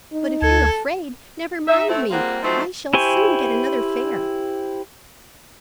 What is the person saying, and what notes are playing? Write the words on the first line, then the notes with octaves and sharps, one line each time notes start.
"But if you're afraid, never mind me; I shall soon get another fare."
D#4
D2 A4 G#6
D#4 E5
A3 C4 E4
G3 A#3 C4 F4 G#4 F#5
F3 F#3 A3 C4 D#4 C5
E4 G4 C5 G#5 C#6